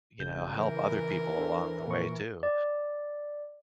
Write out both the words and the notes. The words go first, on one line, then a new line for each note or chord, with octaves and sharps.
you know, help other people along the way too.
G#1 C#3 G6
E3 A#4
D4 A4 C5
A#2 C#6
D5